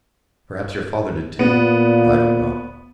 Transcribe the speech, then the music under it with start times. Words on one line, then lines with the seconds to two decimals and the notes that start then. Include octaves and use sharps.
Perhaps your father did, too; I don't know.
1.39 A#2 B3